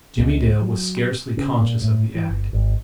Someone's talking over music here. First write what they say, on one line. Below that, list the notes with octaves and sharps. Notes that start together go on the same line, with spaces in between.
Jimmie Dale was scarcely conscious of the act.
C#2
F#3
C#3
A#2
A2
E3
G1
G#1